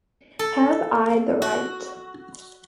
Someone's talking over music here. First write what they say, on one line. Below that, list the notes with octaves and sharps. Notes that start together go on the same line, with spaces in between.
Have I the Right?
A4
F#4